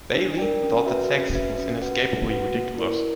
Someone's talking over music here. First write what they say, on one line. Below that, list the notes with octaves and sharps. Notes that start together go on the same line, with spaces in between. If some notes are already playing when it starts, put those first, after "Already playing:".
Bayley thought that sex was inescapably ridiculous.
D4
A#4 D5 G5
C#4
F#4 B4 E5
C#4
F#4 B4 E5
C#4
F#4 B4 F#5
C#4
F#4 B4 F#5
A#3
E4 A#4 D5